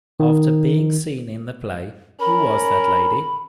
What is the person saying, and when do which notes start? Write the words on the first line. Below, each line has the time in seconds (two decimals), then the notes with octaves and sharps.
After being seen in the play Who Was That Lady?
0.20 D#3
2.20 C#4 A#4 B5